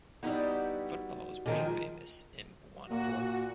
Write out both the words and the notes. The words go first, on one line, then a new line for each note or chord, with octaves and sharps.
Football is pretty famous in bhawanipore.
G3 B3 D#4 E4 F#4 G4
D3 D#3 F3 G#3
A#2 F#4